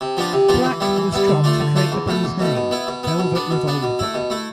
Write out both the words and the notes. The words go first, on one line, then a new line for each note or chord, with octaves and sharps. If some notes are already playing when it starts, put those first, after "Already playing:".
"Black" was dropped to create the band's name, Velvet Revolver.
C3
F3 B3 D4 F4
C3
F3 B3 D4 F4
E3
G3 B3 E4
E3
G3 B3 E4
D3
A3 D4 F4
D3
A3 D4 F4
E2
B2 A3
E2
B2 A3
B2
B3 E4
B2
B3 E4
B2
B3 D4
B2
B3 D4
B2
A3 E4
B2
A3 E4